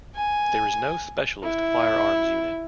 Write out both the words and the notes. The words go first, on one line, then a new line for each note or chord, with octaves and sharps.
There is no specialist firearms unit.
G#5
E4